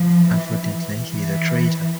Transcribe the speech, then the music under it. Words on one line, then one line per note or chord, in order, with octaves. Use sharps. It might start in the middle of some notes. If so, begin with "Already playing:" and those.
Unfortunately, he is a traitor.
Already playing: F3
E3
E3